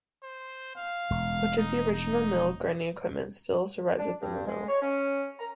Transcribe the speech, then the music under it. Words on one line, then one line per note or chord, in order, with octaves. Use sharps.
Much of the original mill grinding equipment still survives within the mill.
C5
F5
E1 G#3
D#4
D#4
D4
G2
G#3
C#5
C#4
A#5